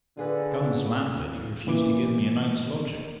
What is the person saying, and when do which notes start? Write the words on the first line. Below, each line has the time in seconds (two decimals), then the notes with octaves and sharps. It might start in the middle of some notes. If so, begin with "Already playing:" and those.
Gun's landlady refused to give me a night's lodging.
0.17 D3 F4 G#4 B4
1.67 A#2 E3 D6